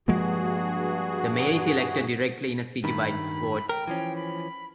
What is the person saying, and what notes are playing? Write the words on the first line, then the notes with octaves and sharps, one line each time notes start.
The mayor is elected directly in a citywide vote.
G2 F3 G#3 A#3 F#4 G#4
G2 D#3 B5
A#4 G5
E3 F3 C#4
B5